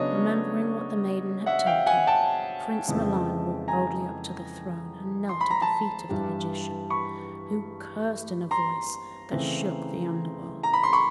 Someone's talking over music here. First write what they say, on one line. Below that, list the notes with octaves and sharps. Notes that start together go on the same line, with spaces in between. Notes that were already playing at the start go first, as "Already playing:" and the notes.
Remembering what the maiden had told him, Prince Milan walked boldly up to the throne and knelt at the feet of the magician, who cursed in a voice that shook the Underworld.
Already playing: C#3 F#3 B3 D4 C#5 D#5
E5 F#5
F5 G5
F#5 G#5
G5 A5
F2 C#3 E3 G#3
G#5 A#5
C6
B5
A#5
A5 B5
G2 E3 G3
B5 C#6
A#5 C6
C#3 E3 A3 C4
A#5
B5
C6
B5 C#6